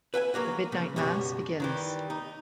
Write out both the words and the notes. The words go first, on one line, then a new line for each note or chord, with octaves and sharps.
The midnight mass begins.
B4 E5 G5 G#5
F#3 A3 A#3 F#4
A#2 C#3
C#2 F#2 B2 G3
D#3 E3 G3
D#4